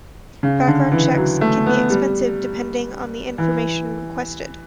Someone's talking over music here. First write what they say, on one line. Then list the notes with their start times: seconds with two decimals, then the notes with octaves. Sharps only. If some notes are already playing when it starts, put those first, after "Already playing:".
Background checks can be expensive depending on the information requested.
0.43 C#3
0.68 D3
0.92 E3
1.17 F#3
1.41 A3
1.66 B3
1.90 G3
3.38 E3